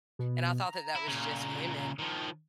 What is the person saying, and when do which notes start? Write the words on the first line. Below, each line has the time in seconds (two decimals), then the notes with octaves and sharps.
and I thought that that was just women,
0.19 B2
0.67 A#5
0.95 E4
1.07 A#2 C#3
1.99 D#3 F3